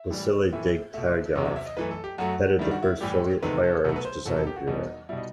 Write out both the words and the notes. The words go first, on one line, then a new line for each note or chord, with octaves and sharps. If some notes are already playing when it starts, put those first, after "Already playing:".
Vasily Degtyaryov headed the first Soviet firearms design bureau.
Already playing: E5
A2 E3 G3
A2 E3 A3 E5
B2 A3 E5
E2 C3 F#3 D#5
E5
E5
D#5
F#2 E3 A3 B4
A4
G4
F#2 F#3 A3 F#4
G2 D#3 G3 E4
F#4
E4
A2 E3 G3 G4
E2 C3 D#3 A3 B4
A4
B2 F#3 A3 A4
B4
C5
E2 B2 F#3 A4
A4
G4
F#4
E2 B2 G3 D#4
B2 G3 E4
D#4